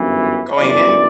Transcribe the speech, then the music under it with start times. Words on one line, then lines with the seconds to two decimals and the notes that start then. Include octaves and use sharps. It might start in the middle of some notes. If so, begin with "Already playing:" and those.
Going in?
Already playing: G1 F#2 E3
0.56 G1 F#2 E3 D5